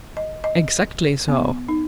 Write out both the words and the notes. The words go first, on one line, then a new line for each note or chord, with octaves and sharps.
"Exactly so."
D#5
D#5
B3
D#4